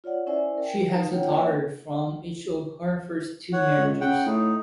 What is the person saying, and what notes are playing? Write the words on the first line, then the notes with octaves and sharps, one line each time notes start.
She has a daughter from each of her first two marriages.
F4 C#5 D5 F#5
C#4 E4 C5 D5 E5 G#5
A#4 G5
D#4 B4 A#5
A#3 C#4 F4 C#5 F#5 G5
C#5 F#5
C#2
C#3 F#5 G5
A2 D#4